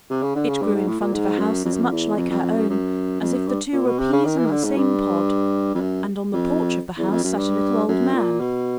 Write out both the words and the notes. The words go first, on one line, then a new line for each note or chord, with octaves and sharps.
It grew in front of a house as much like her own as if the two were peas in the same pod; and on the porch of the house sat a little old man.
C3
C#3
D3
C#3
G2
G#2
A2
A#2
G#2
F#2
F2
F#2
F2
E2
F2
F2
F2
F#2
F#2
F2
F#2
G2
A#2
B2
C3
C#3
D#3
E3
D#3
D3
G#2
G2
F2
F#2
F2
E2
F2
F#2
G2
F#2
A#2
B2